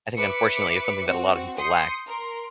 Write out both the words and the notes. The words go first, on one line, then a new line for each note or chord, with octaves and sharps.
I think unfortunately it's something that a lot of people lack.
B4 E5 D6 C#7
C4 F#4
C6 D#6 G6 C7 C#7
A#4 C6